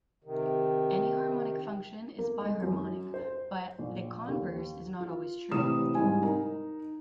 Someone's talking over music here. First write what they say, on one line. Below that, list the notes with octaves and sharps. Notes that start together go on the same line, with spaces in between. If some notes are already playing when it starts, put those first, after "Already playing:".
Any harmonic function is biharmonic, but the converse is not always true.
C3 D#3
A#3
G#3
F#2
C5
A#1
D#2
F4
A1 C3 D#6 E7
C2 G#2 G#5
D#4 A#4